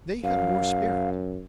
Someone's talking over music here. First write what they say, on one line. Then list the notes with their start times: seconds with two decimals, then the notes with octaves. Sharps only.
They have more spirit.
0.24 F#2 F5